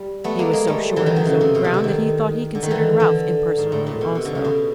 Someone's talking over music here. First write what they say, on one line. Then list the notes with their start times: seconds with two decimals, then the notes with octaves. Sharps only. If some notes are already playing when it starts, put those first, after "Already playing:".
He was so sure of his own ground that he thought he considered Ralph impersonally, also.
Already playing: G3
0.24 A3 B3
0.39 G#3 A#3
0.53 G#3 A#3
0.67 G3 A3
0.96 E3 F#3
1.06 D#3
1.16 D3
1.25 C#3
1.41 C3
1.55 B2
1.64 C3
1.74 D3
1.84 D#3
2.55 D3
2.63 D#3
2.70 D3 E3
3.00 D3
3.57 G#2
3.72 A2
3.86 A#2
4.01 B2
4.15 C3
4.25 D3
4.35 C#3
4.44 B2